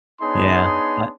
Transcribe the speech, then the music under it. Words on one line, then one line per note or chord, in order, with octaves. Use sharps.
Yeah I
B3 D4 D#4 G#4 C#5 C6